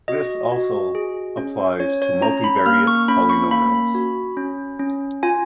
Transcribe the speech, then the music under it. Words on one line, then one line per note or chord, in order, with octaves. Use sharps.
This also applies to multivariate polynomials.
F#4 D#5
F#4
G#4
C#4
C#4 C#5
C#5
C#4 A#5
B5
A#3 F6
C#6
C#4 B5
C#6
A#3 B5
F#4
C#4
C#4
F4 G#5